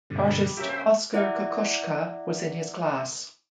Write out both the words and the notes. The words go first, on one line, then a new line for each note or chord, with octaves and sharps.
Artist Oskar Kokoschka was in his class.
G2 B2 D3
G3 D4 D#5
C#3 A#3 F#4 G4 E5
C5 E5 G5
E4 D5 E5 F#5